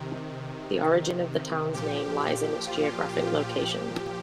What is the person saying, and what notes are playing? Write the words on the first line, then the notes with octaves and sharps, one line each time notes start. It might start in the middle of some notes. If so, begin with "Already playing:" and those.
The origin of the town's name lies in its geographic location.
Already playing: C3 D#3
A#2 F3 G4
G4
F4
G4
A#2 F3 G4